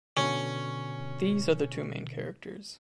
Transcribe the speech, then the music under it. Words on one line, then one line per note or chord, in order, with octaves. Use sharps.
These are the two main characters.
B2 D3 C#4